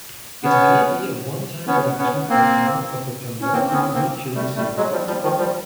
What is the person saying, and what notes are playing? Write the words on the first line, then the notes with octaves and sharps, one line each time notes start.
It may be a one-time production or part of a periodically recurring series.
B3 C#4
B3 C#4
B3 C#4
A#3 C4
C#4
A#3 C4
C4
B3 C#4
A#3 C4
G3 A3
G3 A3
F#3 G#3
F3 G3
F3 G3
D#3 F3
F3 G3